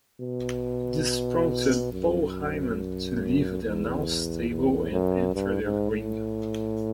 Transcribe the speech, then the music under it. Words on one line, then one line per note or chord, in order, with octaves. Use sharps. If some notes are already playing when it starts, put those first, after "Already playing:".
This prompted Paul Heyman to leave the announce table and enter the ring.
B2
F#2
E2
E2
F#2
G2
G#2
A2